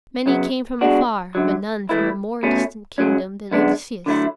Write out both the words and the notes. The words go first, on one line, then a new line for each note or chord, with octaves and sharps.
Many came from afar, but none from a more distant kingdom than Odysseus.
F#2 C#3 F#3 B3
B2 G#3 D4 F#4
F#2 D3 F#3
A2 E3 A3 E4
B2 A3 C#4
C#2 C#3 F#3 C#4
F#2 D3 G#3 B3 D4
D3 F#3 A3 E4